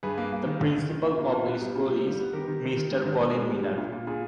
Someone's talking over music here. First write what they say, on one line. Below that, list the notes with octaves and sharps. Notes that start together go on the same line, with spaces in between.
The principal of the school is Mister Colin Millar.
G2 G#4 B4
A#3
A#3
D#3
D#3
D#3
D#3
A#3
A#2
A#2
B3
G3
A#2
G3
G3
B3
D#3 G4 A#4
D#3
D#3
D#3
G#2
D#3
G#2
G#3
G3
A#2
A#2
A#2
A#2 G#4